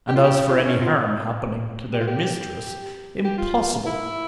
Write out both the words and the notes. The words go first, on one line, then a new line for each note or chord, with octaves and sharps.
And as for any harm happening to their mistress--impossible!
G4
F4
G4
F4
E4
C#4
F4
G4
F4
G4
G4
F4
E4